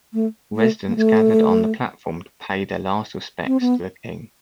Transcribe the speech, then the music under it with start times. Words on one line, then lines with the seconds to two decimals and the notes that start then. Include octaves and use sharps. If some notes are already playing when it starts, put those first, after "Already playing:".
Residents gathered on the platform to pay their last respects to the King.
0.14 A3
0.55 A3
0.88 A#3
0.96 A3
3.46 C4
3.61 B3